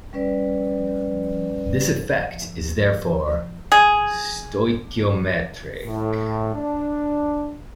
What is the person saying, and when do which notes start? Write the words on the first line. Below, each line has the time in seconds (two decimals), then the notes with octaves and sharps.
This effect is therefore stoichiometric.
0.13 G3 C#4 B4 D5
3.72 G#4
5.85 A2
6.54 D4